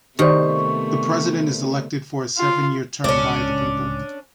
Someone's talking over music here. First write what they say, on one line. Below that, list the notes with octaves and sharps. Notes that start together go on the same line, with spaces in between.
The president is elected for a seven-year term by the people.
C3 D#3 A3 B3 G4 C5 D5 C#6
F4
D1 C#2 C#4 D4